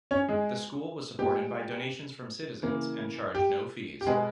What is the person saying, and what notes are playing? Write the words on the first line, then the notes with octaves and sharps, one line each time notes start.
The school was supported by donations from citizens and charged no fees.
C#4 C#5
G#3 G#4
A#2 G#3 B3 G4
C#3 E3 A#3
G4
G4
B2 G#3 B3 G#4